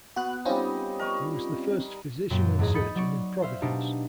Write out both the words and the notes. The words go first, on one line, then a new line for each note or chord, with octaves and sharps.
He was the first physician and surgeon in Providence.
B3 F#4 F#6
G3 C4 C#4 D#4 F4
A#4 D#5 C#6
F#2 A#2 G5
E2 G#2 G#4 D#5
B5 D#6 G6 A6 C#7
F#3 D5 C#6
C5 E5 F5
B2 D4 D#4 G4